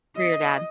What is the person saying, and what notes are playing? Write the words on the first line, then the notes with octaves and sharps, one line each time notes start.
For your dad.
D#5